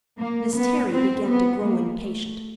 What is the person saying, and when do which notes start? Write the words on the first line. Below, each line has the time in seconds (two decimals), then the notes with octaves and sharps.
Miss Terry began to grow impatient.
0.18 A#3
0.54 B3
0.91 C4
1.27 B3
1.64 A#3
1.99 A3